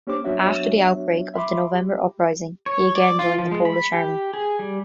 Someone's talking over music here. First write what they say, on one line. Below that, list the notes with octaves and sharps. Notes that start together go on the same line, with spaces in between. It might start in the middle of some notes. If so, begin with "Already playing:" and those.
After the outbreak of the November Uprising he again joined the Polish Army.
A#3 C#4 D4 G4 C5 D6
F#3 B3 D4 F#4 C#5 E5
E5 B5 C6 D6
G4
C#5
D5
F4
F3
G#3
B5
G4
G#4
G3